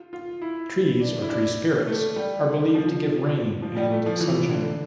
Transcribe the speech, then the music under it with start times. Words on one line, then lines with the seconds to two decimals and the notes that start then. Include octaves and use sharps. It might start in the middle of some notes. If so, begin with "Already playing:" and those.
Trees or tree-spirits are believed to give rain and sunshine.
Already playing: F4
0.13 F4
0.42 E4
1.00 D4
1.22 E4
1.29 D4
1.87 A3
2.16 G3
2.75 F3
3.62 F3
3.77 G3
3.92 A3
4.06 F3
4.20 E3
4.50 D3